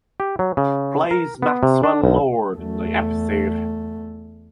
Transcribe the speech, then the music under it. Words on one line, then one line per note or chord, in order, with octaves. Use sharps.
Plays Maxwell Lord in the episode.
G4
F#3
C#3
A#4
B3
C3
D4
B1
E2 A3